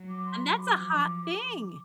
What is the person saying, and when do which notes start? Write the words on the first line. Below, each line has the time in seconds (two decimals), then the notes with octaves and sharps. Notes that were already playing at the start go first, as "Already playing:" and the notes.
and that's a hot thing!
Already playing: F#3
0.09 D6
0.26 C6
0.42 B5
0.58 D6
0.74 F3